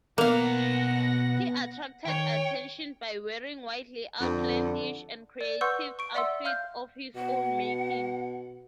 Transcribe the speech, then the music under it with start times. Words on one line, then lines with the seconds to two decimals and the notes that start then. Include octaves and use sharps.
He attracted attention by wearing wildly outlandish and creative outfits of his own making.
0.18 B2 A#3 B3 F5 F#5 A#5 A#6
2.05 D#3 C#5 G5
4.21 F2 D3
5.41 D5
5.61 B4 F#5 C6 C#6 E6 G6
5.99 C#6 D7
6.14 D5 E5 F#5 C6 E6
6.45 F5 F6 G6
7.15 B2 F#5